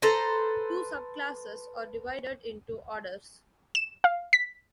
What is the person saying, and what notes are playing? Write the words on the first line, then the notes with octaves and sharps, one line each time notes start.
Two subclasses are divided into orders.
A4 B4 C5 A#5
E7
F5
B6